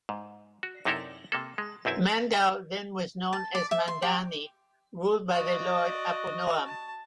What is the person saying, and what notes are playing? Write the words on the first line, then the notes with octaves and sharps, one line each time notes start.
Mandaue then was known as Mandani ruled by their lord Aponoan.
G#2
F#4
F#2 C3 D#4 E4 A4 A#4
C3 A#3 A4
G#3
B1 F#2 C4 E4 G#5
A5
D5
E5
C6
G4
F#4 D5 D#5
A5